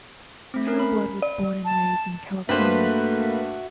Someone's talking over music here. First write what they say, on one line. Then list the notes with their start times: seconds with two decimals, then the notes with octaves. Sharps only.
Trueblood was born and raised in California.
0.54 A3 C4
0.67 C#4 A#4
0.79 B5
1.22 D5
1.65 A5
2.49 G2 A3 A#3 F#4 B4 C5 E5